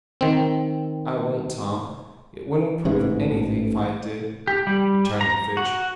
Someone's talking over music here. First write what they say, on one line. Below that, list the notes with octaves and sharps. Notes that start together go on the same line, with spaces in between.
"I won't, Tom; it wouldn't prove anything if I did." He turned to Fitch.
D#3 C4
A1 G#2 E3
G4
G3
A#5
F#4